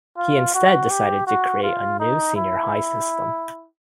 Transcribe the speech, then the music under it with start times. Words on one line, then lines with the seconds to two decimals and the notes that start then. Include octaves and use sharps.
He instead decided to create a new senior high system.
0.17 F4
0.54 F#4
0.90 G4
1.27 F#4
1.63 F4
2.00 D#4
2.36 E4